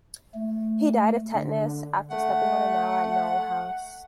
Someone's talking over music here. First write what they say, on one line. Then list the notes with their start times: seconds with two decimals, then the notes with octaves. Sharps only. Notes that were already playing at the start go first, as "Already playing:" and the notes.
He died of tetanus after stepping on a nail at Knowle House.
0.34 A3
1.34 D3
2.11 A3 F#5